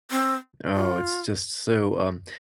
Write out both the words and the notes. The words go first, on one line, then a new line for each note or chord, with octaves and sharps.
Oh, it's just so, um
C4
F4